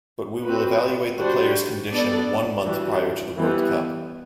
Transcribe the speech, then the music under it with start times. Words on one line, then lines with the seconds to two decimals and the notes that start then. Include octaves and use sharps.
But we will evaluate the player's condition one month prior to the World Cup.
0.45 C4 F#4 B4
1.18 G3 D4 F#4 C5
1.92 B3 D4 A4 D5
2.65 E3 G3 D4 F#4
3.38 E3 G3 B3